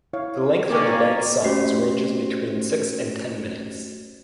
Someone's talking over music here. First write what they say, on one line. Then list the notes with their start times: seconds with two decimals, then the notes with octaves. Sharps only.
The length of the bands songs ranges between six and ten minutes.
0.13 E4 C#5 F5
0.70 A#3 C#4 A#4 D5 G5
1.44 A3 C#4 F#4 G4 C5 C7